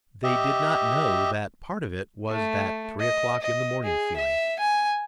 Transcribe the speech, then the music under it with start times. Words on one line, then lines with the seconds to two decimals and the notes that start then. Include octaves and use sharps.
They did not know that part of it was that three-o'clock-in-the-morning feeling.
0.24 G4 D#5 E5
2.31 A3
3.00 D#5
3.42 D#5
3.84 G#4
4.17 E5
4.59 G#5